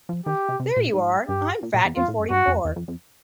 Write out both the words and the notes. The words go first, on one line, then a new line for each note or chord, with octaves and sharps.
There you are, I’m fat and forty-four.
F3
D#3 G4
C3
C3
A#2
G#2
G2 G4
A#2
A#2
E2
F2 F4
A2
F#2
G2 F#4
F2
E2
F2
F2